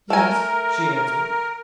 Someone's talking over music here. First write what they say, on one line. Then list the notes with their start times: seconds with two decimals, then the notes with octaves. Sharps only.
"Yes," she answered.
0.10 A3 A#4 G#5